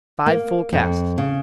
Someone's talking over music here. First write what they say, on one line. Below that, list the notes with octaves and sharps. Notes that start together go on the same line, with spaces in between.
"Five full casks?"
A#3
F2
C#3